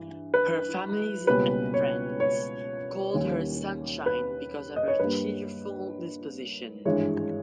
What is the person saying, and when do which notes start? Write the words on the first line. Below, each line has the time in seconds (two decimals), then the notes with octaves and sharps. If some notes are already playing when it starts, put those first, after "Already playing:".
Her family and friends called her "Sunshine" because of her cheerful disposition.
Already playing: G2 E3
0.34 B4
1.27 C#2 B2 G3 A#3 C#4 B4
1.74 C#5
2.20 C#5
3.14 D#2 D#3 G3 C#4
4.06 B4
4.76 D#5
4.88 C#5
4.99 G2 G3 A#3 B4
6.85 G#1 G2 E3 G#3 C#5